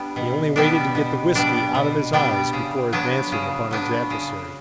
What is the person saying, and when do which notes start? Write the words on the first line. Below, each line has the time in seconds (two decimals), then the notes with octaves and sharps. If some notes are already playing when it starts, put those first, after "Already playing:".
He only waited to get the whisky out of his eyes before advancing upon his adversary.
Already playing: G3 B3 D4
0.16 B2
0.56 G3 B3 D4
0.95 B2
1.35 G3 B3 D4
1.75 B2
2.13 G3 B3 D4
2.53 C#3
2.93 F#3 B3 D4
3.32 C#3
3.71 F#3 B3 D4
4.10 C#3